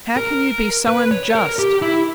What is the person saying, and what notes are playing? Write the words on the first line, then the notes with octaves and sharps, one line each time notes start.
How can you be so unjust?
A#4
B4
C#5
A#4
G4
E4